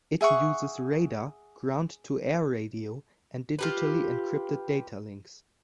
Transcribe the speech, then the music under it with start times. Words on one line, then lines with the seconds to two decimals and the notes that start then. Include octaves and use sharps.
It uses radar, ground-to-air radio and digitally encrypted data links.
0.21 G#4 E5 F#5 C#6
3.59 F4 G4 B4